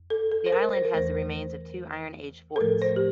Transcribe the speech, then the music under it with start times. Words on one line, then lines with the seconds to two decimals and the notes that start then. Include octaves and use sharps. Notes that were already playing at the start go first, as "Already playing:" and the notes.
The island has the remains of two Iron Age forts.
Already playing: F2
0.10 A4
0.32 A4
0.46 C5
0.52 A#4
0.73 C5
0.85 A#4
0.93 E2 E3 A3 C5
2.56 A4
2.61 A2 F3 A3 A#4
2.82 C5
2.96 G4